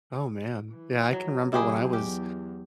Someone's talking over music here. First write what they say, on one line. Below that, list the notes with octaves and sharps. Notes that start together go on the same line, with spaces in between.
Oh, man. Yeah, I can remember when I was,
E3
F#3
C3 F#3 E4 G4 G#4
E2 F#3 G4